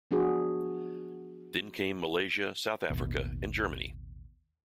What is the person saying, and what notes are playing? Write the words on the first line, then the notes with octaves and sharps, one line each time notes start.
Then came Malaysia, South Africa and Germany.
F3 B3 D4 F#4 G#4
A1 D#2 B2